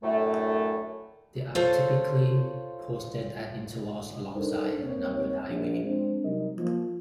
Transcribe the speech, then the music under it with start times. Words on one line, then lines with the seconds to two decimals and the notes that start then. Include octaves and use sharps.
They are typically posted at intervals alongside a numbered highway.
0.03 F#2 A2 D3 A3
1.55 F4 A4 C5 C#5
4.36 D4 D#4 A4 A#4 C5
4.80 D#2 C4 C#5
5.49 A#1
5.83 G#3 C4 D4
6.25 C3 F#3 G3 D#4 A#4 D#5
6.57 F3 A#3